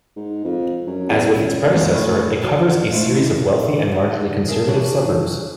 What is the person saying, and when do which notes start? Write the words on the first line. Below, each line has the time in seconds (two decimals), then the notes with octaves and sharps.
As with its predecessor, it covers a series of wealthy and largely conservative suburbs.
0.16 G#2
0.45 F2
0.87 F#2
1.10 E2
1.28 C#2
1.64 F1
1.94 A2
2.44 F#3
2.91 G#3 A3 E4 C5 F5
3.20 E3 G3
3.91 D2 D3 B3
4.48 G#4 A#4 E5 F5 G#5 A5
4.67 E3 G3 D4 F#4 C#5